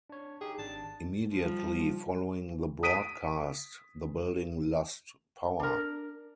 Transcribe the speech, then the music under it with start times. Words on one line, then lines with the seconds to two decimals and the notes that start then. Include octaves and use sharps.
Immediately following the broadcast, the building lost power.
0.10 D4 C#5
0.41 D#4 G4 G#4
0.58 G#1 D4 A5 A6
1.33 F3 G3
2.83 D#6 B6 D7 D#7
5.60 D4 A#4